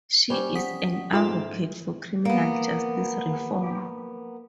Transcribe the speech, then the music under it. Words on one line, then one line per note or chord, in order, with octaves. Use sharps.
She is an advocate for criminal justice reform.
G3 C#4 G4 C5
F#5 D#6 B6
G#2 F4 A4 E5
A#3 B3